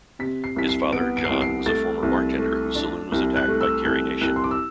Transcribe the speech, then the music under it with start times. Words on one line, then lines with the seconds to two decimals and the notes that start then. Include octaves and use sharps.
His father, John, was a former bartender whose saloon was attacked by Carrie Nation.
0.19 C3 B6
0.44 C7
0.56 C2 B6
0.69 C7
0.93 B3 D7
1.17 D7
1.25 C7
1.29 C2 D7
1.41 C7
1.66 A3 A6
2.03 C2
2.39 A3
2.75 D4
3.12 C2
3.36 F#6
3.48 A3
3.61 E6
3.85 C2 F#6
4.21 C2 F#6
4.36 C6
4.44 D6
4.51 E6